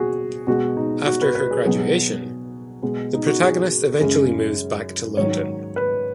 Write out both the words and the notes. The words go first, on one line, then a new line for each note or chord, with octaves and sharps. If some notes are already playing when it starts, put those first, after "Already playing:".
After her graduation the protagonist eventually moves back to London.
Already playing: B2 F#4 G#4
B2 G#3 F#4
D#4
F#4
B4
B4
G#4
B2 F#3 G#4
B2 G#3
D#4
F#4
G#4
F#2 C#3 G#3
G#2 D#3 F#3 C#5
B4